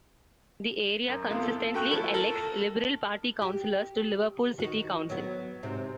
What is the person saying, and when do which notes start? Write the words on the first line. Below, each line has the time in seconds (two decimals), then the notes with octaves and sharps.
The area consistently elects Liberal Party Councillors to Liverpool City Council.
1.08 F#2
1.31 F#2 C3 B3 E4 F4
1.43 A4
1.74 A3 F#4 G5 C#6 F#6
1.91 F3 E4 A4
2.14 A4 A#4
3.42 G4
4.60 D#3 F#4
5.10 F#3 B3
5.63 G#2 C3